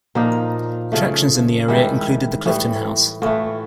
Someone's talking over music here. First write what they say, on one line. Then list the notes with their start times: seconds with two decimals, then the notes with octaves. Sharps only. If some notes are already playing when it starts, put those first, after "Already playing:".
Attractions in the area included the Clifton House.
0.15 A#2 F3 A#3 D#4
0.92 C#3 F3 A3
1.68 G#2 D#3 G3 E4
2.46 A2 E3 G3
3.22 A2 E3 A3 F4